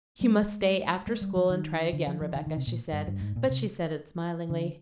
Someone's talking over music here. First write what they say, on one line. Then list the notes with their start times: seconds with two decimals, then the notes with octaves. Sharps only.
"You must stay after school and try again, Rebecca," she said, but she said it smilingly.
0.21 G3
0.43 G#3
1.07 G#3
1.21 G3
1.36 F3
1.50 D#3
1.93 D3
2.07 F3
2.21 F3
2.35 D#3
2.46 D#3
2.57 C3
2.67 A#2
2.93 G2
3.07 G2
3.21 G#2
3.36 A#2
3.50 C3
4.50 D3